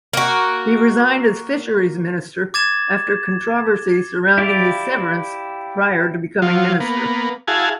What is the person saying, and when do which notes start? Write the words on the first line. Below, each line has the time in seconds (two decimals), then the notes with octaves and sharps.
He resigned as Fisheries Minister after controversy surrounding his severance prior to becoming minister.
0.13 A#3 F#4
2.54 D6 G#6 A6 E7
4.38 E4 G4 D5 F5
6.42 F3 F#3 F4
6.80 A#3 B3
7.48 E4 F#4 G#4 F5 G#5 A5